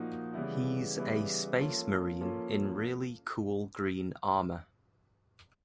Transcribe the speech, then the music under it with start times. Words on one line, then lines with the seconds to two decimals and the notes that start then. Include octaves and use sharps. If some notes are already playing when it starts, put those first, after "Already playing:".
He's a space Marine in really cool green armor.
Already playing: A#2 F3 A#3 D#4 F#4
0.34 C#3 E3 G3 B3 E4
0.96 C#3 E3 G3 B3 E4
1.58 F3 A#3 C#4 F4 A4
2.21 F3 A#3 C#4 F4 A4